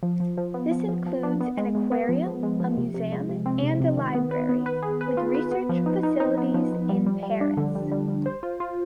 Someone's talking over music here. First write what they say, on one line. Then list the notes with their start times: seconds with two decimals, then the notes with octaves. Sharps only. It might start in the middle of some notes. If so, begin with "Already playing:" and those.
This includes an aquarium, a museum, and a library, with research facilities in Paris.
0.03 F3
0.20 F3
0.37 F3
0.54 B3
0.71 F3
0.89 F3
1.06 F3
1.23 D4
1.40 B3
1.57 G#3
1.75 G#3
1.92 B3
2.09 F3
2.26 F3
2.43 G#3
2.60 F3
2.78 C3
2.94 C3
3.12 G#3
3.29 C3
3.46 C4
3.63 C3
3.80 C3
3.97 D#3
4.15 B3
4.31 B4
4.49 B3
4.66 B4
4.83 G#4
5.01 B4
5.17 F4
5.35 B4
5.51 B3
5.69 F3
5.86 D#4
6.03 D#4
6.20 D#4
6.37 B3
6.54 F3
6.72 F3
6.89 G3
7.06 G3
7.23 G3
7.41 D4
7.57 D3
7.75 G3
7.92 G3
8.08 G3
8.26 C5
8.43 F4
8.60 F4